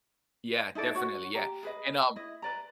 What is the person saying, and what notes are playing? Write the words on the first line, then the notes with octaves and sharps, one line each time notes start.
Yeah, definitely, yeah, and, um
D#4 E4 A4 D5
F#4 C#5
G4 A#5
G#4 B4 D#5
E4 D#5
B4 D5 A#5